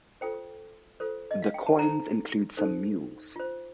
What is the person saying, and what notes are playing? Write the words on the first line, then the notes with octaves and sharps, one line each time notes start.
The coins include some mules.
F4 A4 C5 G5
F4 A4 C5
D#5
F5
G5
A5
D#4 A4 C5 A#5
D#4 A4 C5
F4 C5